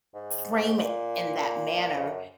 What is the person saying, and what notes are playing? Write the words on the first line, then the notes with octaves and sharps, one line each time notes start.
frame it in that manner,
G#2
G#2
A#2
F2
F#2